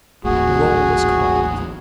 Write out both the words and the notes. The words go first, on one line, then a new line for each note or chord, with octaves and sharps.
The roll was called.
D#1 A1 A#2 F#4 G#4